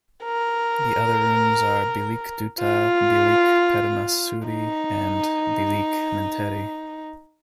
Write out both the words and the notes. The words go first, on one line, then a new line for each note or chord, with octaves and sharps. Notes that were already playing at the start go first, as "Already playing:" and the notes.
The other rooms are "Bilik Duta", "Bilik Permaisuri" and "Bilik Menteri".
A#4
F4
D#4